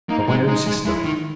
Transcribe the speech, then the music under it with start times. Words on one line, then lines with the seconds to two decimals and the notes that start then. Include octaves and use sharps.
From my own sister?
0.09 A#3 D#4
0.28 G#3
0.48 G#3 D#4
0.67 G#3
0.86 G#3 E4
1.04 D#3